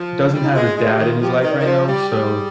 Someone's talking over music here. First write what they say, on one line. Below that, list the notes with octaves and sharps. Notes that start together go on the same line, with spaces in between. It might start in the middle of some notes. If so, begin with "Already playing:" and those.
doesn't have his dad in his life right now, so,
Already playing: F3
F4
G3 F4
D#4
G#3 F4
G#3 F4
G4
D#3
F4
F3 G4
A#4
D#3
D5
D#3
F3 C5
G3 G4
G#4